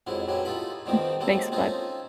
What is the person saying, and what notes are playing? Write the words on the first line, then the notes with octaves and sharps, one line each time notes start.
Mm, thanks, bud.
F2 G#2 F#3 G#3 E4
G2 F#3 G3 C#4 E4
D#4 F4 A4 B5
G2 D3 D#3 F3 C4 D#4
F#3 G#3 A#3 C4 A4
C4 C#4 D#4 F4 A4